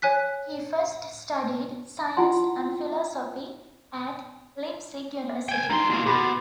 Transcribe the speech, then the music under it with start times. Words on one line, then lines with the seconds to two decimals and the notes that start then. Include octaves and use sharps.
He first studied science and philosophy at Leipzig University.
0.02 C#5 G#5 F#6 B6
2.17 E4 F4 F#5 C6
5.29 E5
5.48 G5 G#5
5.70 G2 D#4 A#5 C6
5.90 B2 A#3 E4 C6
6.06 B2 G#4 B5 C6